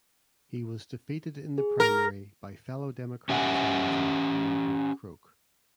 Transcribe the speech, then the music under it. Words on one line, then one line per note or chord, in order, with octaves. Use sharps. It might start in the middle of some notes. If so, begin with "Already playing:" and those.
He was defeated in the primary by fellow Democratic challenger Margaret Croke.
G#4
A#4
C#4 G4 E5 F#5 G#5